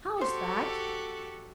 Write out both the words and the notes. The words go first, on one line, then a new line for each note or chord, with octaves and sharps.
"How's that?"
F#4 G4 A4 C5